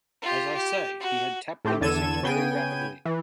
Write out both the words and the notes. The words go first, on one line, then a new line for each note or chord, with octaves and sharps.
As I say, he had tapped the message very rapidly.
F4 G4
G4
F#4
A2 A3 C4 G4
E2 D3 A4 G#6 D#7 E7
C#3 B3 G5 G#5 D#7
E3